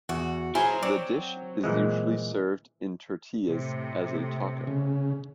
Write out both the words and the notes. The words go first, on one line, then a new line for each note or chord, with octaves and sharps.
The dish is usually served in tortillas as a taco.
E2 F#4
F#3 E4 G#4 A#4 C5
C4 C#5 D5
A#2 E3 G#3
A2 C3
C#3